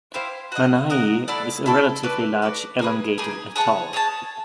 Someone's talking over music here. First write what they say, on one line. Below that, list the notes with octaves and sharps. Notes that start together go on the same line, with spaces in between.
Manihi is a relatively large elongated atoll.
E4 G4 C5 F5
F#4 A#4 D#5 F#5
F#4 A#4 D#5 F#5
E4 A4 D5
E4 A4 D5
F#4 B4 D5
F#4 B4 D5
A#3 D#4 G#4 B4
A#3 D#4 G#4 B4
G#4 C#5 F#5 A5
G#4 C#5 F#5 A5